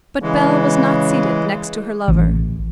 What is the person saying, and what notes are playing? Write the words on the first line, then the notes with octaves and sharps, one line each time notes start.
But Bell was not seated next to her lover.
C#3 E3 G#3
A1